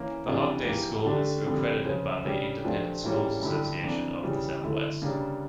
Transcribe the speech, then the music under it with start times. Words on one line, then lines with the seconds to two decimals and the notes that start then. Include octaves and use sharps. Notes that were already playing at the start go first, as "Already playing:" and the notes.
The Hockaday School is accredited by the Independent Schools Association of the Southwest.
Already playing: E3 A#3 C#4
0.26 F2 C#3 E3 G3 D4
0.65 E3 G3 A#3
1.05 D3 A3 D4 G4
1.45 F2 D3 G3
1.84 C#3 F3 C#4
2.24 C#3 G3 D4 G4
2.64 A#2 F3 A3 D4 G4
3.03 A2 E3 G3 A#3 C#4
3.42 G2 D3 A3 E4 G4
3.83 F2 E3 A#3 D4
4.23 C#3 E3 G3
4.62 D3 A3 E4
5.02 C#3 G3 A#3 D4